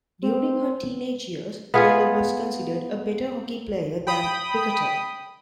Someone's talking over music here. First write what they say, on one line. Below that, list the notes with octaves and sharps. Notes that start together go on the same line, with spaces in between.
During her teenage years, Taylor was considered a better hockey player than cricketer.
C4
B3 F4 G#4
G5 B5 D#6